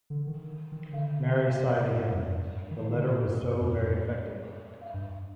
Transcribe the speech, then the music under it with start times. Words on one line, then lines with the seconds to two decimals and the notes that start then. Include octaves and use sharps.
Mary sighed again — the letter was so very affecting.
0.10 D3
0.27 D#3
0.72 D#3
0.93 D3
1.60 C3
1.77 A#2
1.94 G#2
2.11 F2
2.28 G2
2.71 D#3
2.94 D3
3.10 A#2
3.27 G2
3.44 G2
3.60 F2
3.82 G2
4.94 G2